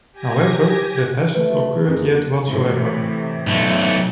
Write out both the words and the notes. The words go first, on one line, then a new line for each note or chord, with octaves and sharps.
However, that hasn't occurred yet whatsoever.
G4 G#5 G#6 A#6
A3 B4
F2 A#3 G#4
A2 C3 E3
B1 A3